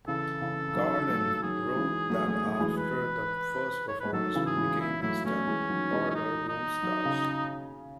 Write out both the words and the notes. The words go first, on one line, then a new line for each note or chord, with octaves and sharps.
Garland wrote that after the first performance, We become instant parlor room stars.
C#3 E3 A4
C#3 E3
D#3 F#3
F#3 A3
D#3 F#3 G#4
E3 G#3
F#3 A3
F#3 A3
F#3 A3
E3 G#3
B4
C#5
G#3 B4
D#3 F#3 A4
C#3 E3
G#4
E3 G#3
E4
F#3 A3 E4
F#3 A3 C#4
E3 G#3
D#3 F#3
E3 G#3
C#4
D#4
D#4
D#3 F#3
C#3